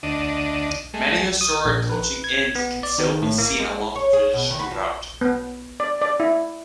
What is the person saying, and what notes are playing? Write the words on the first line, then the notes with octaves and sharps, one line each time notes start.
Many historic coaching inns can still be seen along the traditional route.
D2 D4 D#5
G#3 A3
D#6
A#1
B4
G#6
B3
D5
D#3
A2
A#3
G#3
C#5
G#4
B2
E2 D#3
F#4 B4
F3
B3
D5
D5
E4